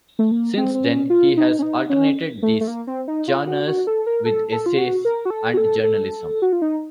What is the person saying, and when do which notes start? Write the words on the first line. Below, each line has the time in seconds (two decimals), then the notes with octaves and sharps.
Since then, he has alternated these genres with essays and journalism.
0.19 A3
0.31 A#3
0.57 C4
0.74 C4
0.84 C#4
1.10 F4
1.37 D#4
1.59 C#4
1.62 D#4
1.90 C#4
2.42 A3
2.61 A3
2.68 A#3
2.87 C4
3.08 D#4
3.28 F4
3.47 F#4
3.67 F#4
3.87 A4
4.06 A#4
4.25 A4
4.52 A4
4.66 F4
4.78 F#4
5.05 A#4
5.25 F#4
5.30 A4
5.54 F#4
5.57 A4
5.83 A4
6.42 F#4
6.53 F4
6.62 D#4